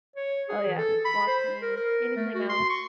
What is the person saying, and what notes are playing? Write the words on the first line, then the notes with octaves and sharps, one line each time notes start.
Oh, yeah walking. Anything else?
C#5
G#4
E3
A4
B5
C5
A#4
A#4
A3
F#4
C6
C#6